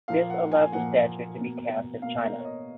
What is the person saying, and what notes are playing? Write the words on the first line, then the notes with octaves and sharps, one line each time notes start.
This allowed the statue to be cast in China.
A#2 F3 A#3 F5
F#5
G#5
A#2 F3 A#3 F#5
B2 A#3
B2 A#3 F5
A#4
C#5
D#5